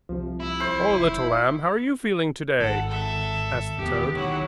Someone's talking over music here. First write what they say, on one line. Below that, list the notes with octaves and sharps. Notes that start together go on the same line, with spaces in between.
"O, little lamb, how are you feeling today?" asked the toad.
C2 C3 F3
E4
C5
F1
E1
G#1 A4 F#5
A4 E5
E1 D#2 B3 G4
B1 D#3 F#3 E4 F#5